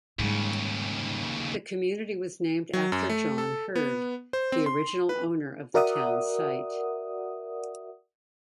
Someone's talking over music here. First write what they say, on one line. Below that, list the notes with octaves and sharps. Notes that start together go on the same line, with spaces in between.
The community was named after John Hurd, the original owner of the town site.
D#2 G#2 C#3 G3
F#3
F#2
A3
A4
B3
C5
C4
C6
B4
F#4 A#4 D5 E5 F#5 D#6